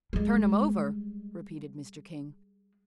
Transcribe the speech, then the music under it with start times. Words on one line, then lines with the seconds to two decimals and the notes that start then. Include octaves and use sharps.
"Turn him over?" repeated Mr. King.
0.13 G3 G#3